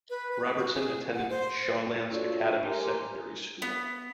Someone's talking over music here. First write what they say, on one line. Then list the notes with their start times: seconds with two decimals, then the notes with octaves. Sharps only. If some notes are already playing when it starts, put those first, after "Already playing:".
Robertson attended Shawlands Academy Secondary School.
0.10 B4
0.32 B4
0.57 F#4
0.74 G#4
1.14 F#5
1.30 C5
2.11 D4 F4 F#4 A4 C#5 D5
2.64 G4 A#4 G#5 A#5 C6
3.62 B3